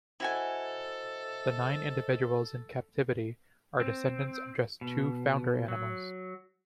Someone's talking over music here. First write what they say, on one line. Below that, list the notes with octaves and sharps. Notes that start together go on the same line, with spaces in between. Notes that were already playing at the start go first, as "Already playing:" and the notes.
The nine individuals in captivity are descendants of just two founder animals.
E4 F#4 A4 C5 D#5 E5 G#5
C4
B2
F#3